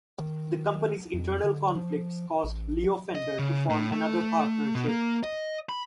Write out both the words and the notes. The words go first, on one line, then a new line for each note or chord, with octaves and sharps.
The company's internal conflicts caused Leo Fender to form another partnership.
D#3
F2
D3
F3
A1
D#5
C#3
A2
A3
B2
A#3
D#5
B5